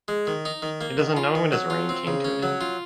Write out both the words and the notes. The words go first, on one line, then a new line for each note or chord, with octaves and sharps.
It is unknown when his reign came to an end.
G#3
D#3
D#4
D#3
A#3
D#3
F4
D#3
F#3
F4
C4
C#3
C#4
F#3
F4